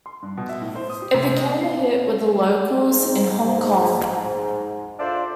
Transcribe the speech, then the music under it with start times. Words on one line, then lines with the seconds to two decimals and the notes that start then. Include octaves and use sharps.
It became a hit with the locals in Hong Kong.
0.06 C6
0.22 G2
0.37 B2
0.49 E5
0.62 A2
0.75 C5
0.90 D#6
1.02 G4
1.14 C3
1.36 D#5
1.49 B3
1.61 C7
2.89 G#2
4.99 D4 F4 A4 C5 D5 E5